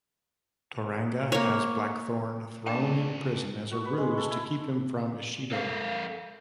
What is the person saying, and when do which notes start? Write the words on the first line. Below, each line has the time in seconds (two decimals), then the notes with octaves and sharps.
Toranaga has Blackthorne thrown in prison as a ruse to keep him from Ishido.
1.32 A#3 C#5
2.67 A#2 A3 D4 G5 A5
3.71 F#4
3.85 B4
3.98 G#3
4.18 A4
4.31 E4
5.52 A4 A#4 F5